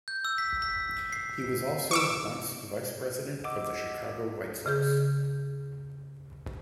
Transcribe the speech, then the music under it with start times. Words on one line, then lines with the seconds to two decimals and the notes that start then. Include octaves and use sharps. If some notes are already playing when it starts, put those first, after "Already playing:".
He was also once vice president of the Chicago White Sox.
0.08 G6
0.25 E6
0.38 B6
0.62 B6
1.13 C7
1.91 C#6 D6 E6
3.44 D#5 F#5 D6 E6
4.66 C#3 G#4 G6